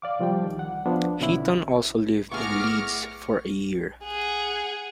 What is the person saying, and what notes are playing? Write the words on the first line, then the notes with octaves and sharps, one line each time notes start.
Heaton also lived in Leeds for a year.
D5 F5 D6
C2 F3 G3 G5
D#3
F#5
F3 B3 D4
B2 D3 C#4 E4
A2 B3 G#4 C#6 D6 F6 A#6
G#4 F#5